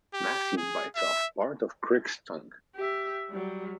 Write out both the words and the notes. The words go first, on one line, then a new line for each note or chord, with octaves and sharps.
Matthew bites off part of Crick's tongue.
G4
G#4
E5
G4 E5
F#3 G3